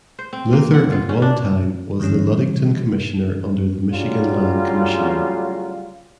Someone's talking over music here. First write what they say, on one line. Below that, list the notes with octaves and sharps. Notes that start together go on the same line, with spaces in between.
Luther at one time was the Ludington commissioner under the Michigan land commissioner.
C5
C4
A#3
F#5
F4
C#4
D4
D3 E3 G3 C#4
A2 C#3 F#3 G3 F4